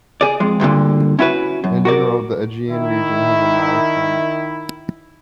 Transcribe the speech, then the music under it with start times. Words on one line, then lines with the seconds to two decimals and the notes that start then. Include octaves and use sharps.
In general the Aegean region has a mild climate.
0.21 G#4 D5
0.40 F2 G#3
0.60 D2 G2 A#2 D3
1.19 C#4 E4 F#4 B4
1.64 F#2
1.85 F#4 A#4 D5
2.69 D#3 E4